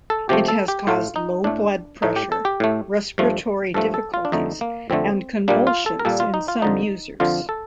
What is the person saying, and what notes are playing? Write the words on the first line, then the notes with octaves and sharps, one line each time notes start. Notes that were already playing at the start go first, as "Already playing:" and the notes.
It has caused low blood pressure, respiratory difficulties, and convulsions in some users.
A4
C3 F3 A3 G4
A4
G4
A2 A3 F4
D#4
A2 A3 D4
A2 A3 D#4
G4
A4
G4
A2 A3
G2 F3 A3
G2 F3 A3 A4
A4
F4
D4
F2 D3 A3 D#4
A#3
F2 D3 A3 C4
A#2 G3 A#3 D4
F4
A4
A#4
A#2 G3 A#3 A4
F4
D#4
F4
F2 D3 F3 D#4
F2 D3 F3 F4
A4